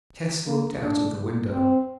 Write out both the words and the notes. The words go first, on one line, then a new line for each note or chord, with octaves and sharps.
Tess looked out of the window.
A#3
D4
C4